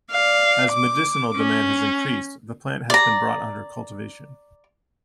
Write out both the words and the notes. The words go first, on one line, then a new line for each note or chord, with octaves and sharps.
As medicinal demand has increased, the plant has been brought under cultivation.
D5 F5
D6
C#4
D5 A#5